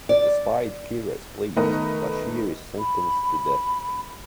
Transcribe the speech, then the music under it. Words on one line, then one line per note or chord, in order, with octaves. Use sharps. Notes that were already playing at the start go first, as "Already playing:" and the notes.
Despite Kira's pleas, Bashir is sentenced to death.
D5
D#3 A3 B3 A#4 B4 D#5
B5